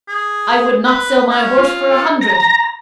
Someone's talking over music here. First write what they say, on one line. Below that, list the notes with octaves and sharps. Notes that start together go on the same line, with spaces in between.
I would not sell my horse for a hundred.
G#4
B4
C#4
F4
A4
A#5